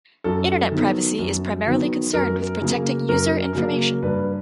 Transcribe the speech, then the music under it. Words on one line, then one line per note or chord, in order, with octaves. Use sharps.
Internet privacy is primarily concerned with protecting user information.
F#2 A4
D#3 F#3 B3
F#2
D#3 F#3 B3
F#2 A#4
C#3 F#3 A#3
F#2 A#4
C#3 F#3 A#3
G2 B4